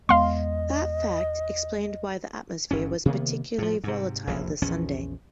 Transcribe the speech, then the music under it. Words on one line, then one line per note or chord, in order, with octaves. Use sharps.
That fact explained why the atmosphere was particularly volatile this Sunday.
E2 G#3 B3 D#5 F5 C6
G1 G2 C#4
C3 D#3 A#3 B3
A2 F3
G#2 C3
F1 A#1 E2
A#1 E2 F3 C#4